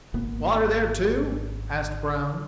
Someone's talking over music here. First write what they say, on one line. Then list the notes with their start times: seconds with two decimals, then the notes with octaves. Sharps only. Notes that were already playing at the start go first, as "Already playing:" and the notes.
"Water there, too?" asked Brown.
0.14 G#1 A#3 B3